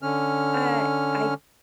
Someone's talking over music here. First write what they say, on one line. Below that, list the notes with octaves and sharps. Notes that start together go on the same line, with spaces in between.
uh, I
D3 C#4 F6